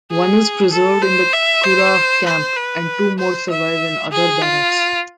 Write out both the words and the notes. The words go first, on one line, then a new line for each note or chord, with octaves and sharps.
One is preserved in the Curragh Camp and two more survive in other barracks.
G#4
A4
C5
E5
C5
C5
B4
C5
E5
G#4
F4